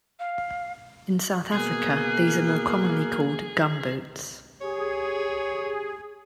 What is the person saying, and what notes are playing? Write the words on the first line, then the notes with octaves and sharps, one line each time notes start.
In South Africa these are more commonly called "gumboots".
F5
B2 A#3 G#4 F#6
G4 G#4 C#5